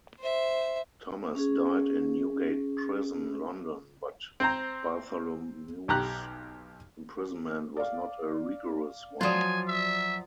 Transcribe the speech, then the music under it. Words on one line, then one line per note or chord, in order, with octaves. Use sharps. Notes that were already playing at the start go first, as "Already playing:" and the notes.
Thomas died in Newgate Prison, London, but Bartholomew's imprisonment was not a rigorous one.
C5 E5
C#4 G#4
C4 C5 A#5
B1 G4 A#5 F#6
D5 F5
F3 F#3 F4 D5 G#5 D#6
E5